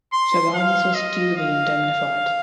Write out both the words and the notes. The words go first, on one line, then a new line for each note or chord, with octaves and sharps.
Chabannes was duly indemnified.
C6
F5
D#5
F5